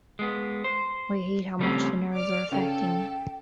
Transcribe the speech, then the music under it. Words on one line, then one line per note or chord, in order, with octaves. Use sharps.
I hate how much the nerves are affecting me.
G#3 B3
C5
C#3 F3 G3 A3 C4 C#4
D5 D6 F6
C#3 C#4 A4 G5